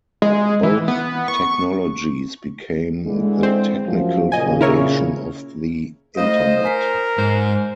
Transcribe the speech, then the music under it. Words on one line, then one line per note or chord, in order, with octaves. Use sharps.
Both technologies became the technical foundation of the Internet.
G#3
E3
B3
C#6
D3 E3 G#3
C4
F#2 F3
A#2 C#3 D#5 G#5
E4 A#4 C#5
A3 E4 C5 D#5 F5
A#4 G#5 B6 C7
G#2 C5